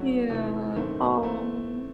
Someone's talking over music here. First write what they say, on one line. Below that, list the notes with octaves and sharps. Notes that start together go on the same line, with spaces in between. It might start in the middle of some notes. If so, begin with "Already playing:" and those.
Yeah, oh.
Already playing: G#2 F#3 A3 C#4 F#4
E2 C3 E3 A3 D#4
G#1 F#2 D#3 A3 C4
E3 A3 C4